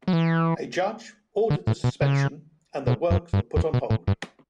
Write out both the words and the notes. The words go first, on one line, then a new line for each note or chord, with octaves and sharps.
A judge ordered the suspension and the works were put on hold.
F#3
E3
D3
A2
B2
C#3
B2
F#2
G2
E2
B2
A2
G2